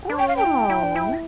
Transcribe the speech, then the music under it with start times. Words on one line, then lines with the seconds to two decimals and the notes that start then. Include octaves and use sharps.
Oh, nice.
0.10 D4
0.19 C#4 G5
0.28 F5
0.37 G5
0.45 E4
0.70 E4
0.83 D4
0.96 E4